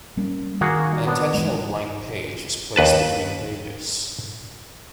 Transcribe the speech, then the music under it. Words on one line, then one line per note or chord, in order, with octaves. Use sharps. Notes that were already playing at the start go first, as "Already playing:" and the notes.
An intentional blank page is placed between pages.
G3 A#3 C#4
D#3 A#3 F#4 G#4
B3 D4
E3 G#3
D#2 B4 A5